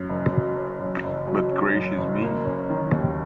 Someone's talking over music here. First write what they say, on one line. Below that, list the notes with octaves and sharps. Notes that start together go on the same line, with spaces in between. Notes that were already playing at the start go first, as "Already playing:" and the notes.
But gracious me!
Already playing: F#2 C#4
F#1
F#3
C#4
F#2
F#1
F#3
C#4
F#2
F#1
A#3
C#4
D#3
D#2